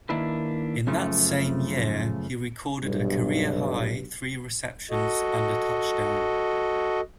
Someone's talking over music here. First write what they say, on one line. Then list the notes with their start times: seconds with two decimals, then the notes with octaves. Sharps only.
In that same year he recorded a career-high three receptions and a touchdown.
0.09 D#3 A#3 D4 E4 B4
0.87 F#2 C#3 F3 A3
2.82 B1 G2
4.91 F#4 A4 D#5